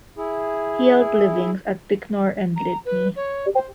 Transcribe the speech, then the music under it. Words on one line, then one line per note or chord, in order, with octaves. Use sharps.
He held livings at Bicknor and Lydney.
E4 G#4
A#5
B4
C#5
C5